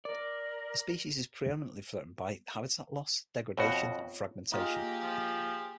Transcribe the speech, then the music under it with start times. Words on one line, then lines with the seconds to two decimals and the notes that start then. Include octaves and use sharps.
The species is pre-eminently threatened by habitat loss, degradation and fragmentation.
0.05 A#4 D5
3.58 F2 B2 F4 F#4 C#5
4.52 A#3 D#4 F4 G4 G#4 D#5
5.02 F3